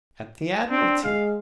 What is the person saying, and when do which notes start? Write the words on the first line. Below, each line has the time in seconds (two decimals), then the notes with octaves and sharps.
"At the Admiralty."
0.70 C4 D4
1.04 G#3 F5